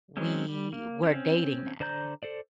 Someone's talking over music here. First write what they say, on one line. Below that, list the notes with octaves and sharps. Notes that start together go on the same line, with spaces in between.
We we're dating now."
F#3 G#3 C4 C#4
G3
A#3
C4 C#4
D3 C5 D5 A#5 G6
A4 C5 D5